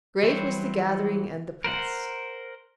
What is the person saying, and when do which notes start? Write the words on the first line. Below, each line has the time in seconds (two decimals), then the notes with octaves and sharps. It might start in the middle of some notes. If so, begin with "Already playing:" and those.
Great was the gathering and the press.
0.23 E3 F#3 G3 C5 C#5
1.64 A#4 C5 F#5